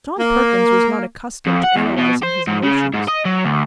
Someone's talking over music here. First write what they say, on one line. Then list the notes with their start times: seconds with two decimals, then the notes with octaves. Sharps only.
John Perkins was not accustomed to analyzing his emotions.
0.19 A#3
1.47 F2
1.64 F#5
1.77 E2
1.98 B2
2.23 C5
2.47 G#2
2.63 C#3
2.94 G#2
3.08 D#5
3.25 F#3
3.45 D2